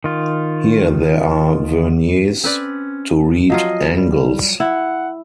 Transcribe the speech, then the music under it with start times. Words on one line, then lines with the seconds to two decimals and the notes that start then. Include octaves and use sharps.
Here there are verniers to read angles.
0.04 D#3 F4
2.44 C4 C#4 B4 D5
3.50 F3 F#3 F4 D#5
3.96 G3
4.60 E4 F#5